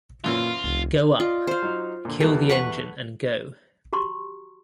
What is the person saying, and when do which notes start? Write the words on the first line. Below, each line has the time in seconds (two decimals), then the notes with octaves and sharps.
Go up... kill the engine and go.
0.24 F#2 A#2 E3 C#4 F4
0.64 F1 C#2
1.20 F4 D5 D#5
1.47 C5 F5
1.62 F#3 D#4
2.05 A#2 D3
2.20 E2 E3 G3 A4
2.49 B4 F#5 C#6
3.93 F#4 G4 A#5 C6 C#6